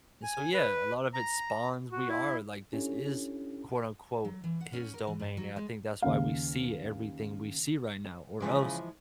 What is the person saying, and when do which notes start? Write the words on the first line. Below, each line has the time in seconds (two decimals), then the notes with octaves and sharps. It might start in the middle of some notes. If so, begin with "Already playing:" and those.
And so, yeah a lot of it spawns, we are like, this is quote unquote "His domain," and I think that's why we see everything we see right now or else
0.23 G#5
0.54 B4
1.14 A#5
1.92 F#4
2.09 E4
2.73 C#4 D4 E4 G4 A4 C#5
4.25 F#3
4.44 E3
4.61 F#5
4.73 C#4
4.94 A#4
5.07 E3
5.20 G2
5.37 F#3
5.56 G#3
6.02 D#2 C#3 F5
8.40 C#3 E3 F3 G#3